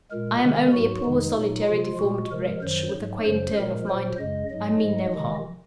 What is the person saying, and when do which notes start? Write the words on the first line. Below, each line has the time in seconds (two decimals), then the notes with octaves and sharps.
I am only a poor, solitary, deformed wretch, with a quaint turn of mind; I mean no harm.
0.11 A#2 G#3 A#4
0.42 C3 D#3 G#3
0.73 G#2 F#3 F#4
1.04 F2 C3 D#3 G#3 D#4
1.36 A#2 F#3
1.67 C3 F3 G#3 F4
1.99 A#2 G#3 F#4
2.30 C3 F3 G#3 A#4
2.62 F#2 D#3 F#3 C5
2.93 G#2 F#3
3.24 F#2 C#3 F#3 C5
3.56 A#2 F3 G#3 A#4
3.87 A#2 F#3 C5
4.18 F#2 C#3 G#3 D#5
4.50 G#2 F#3 D#5
4.81 G#2 F3 G#3
5.13 C3 D#3 G#3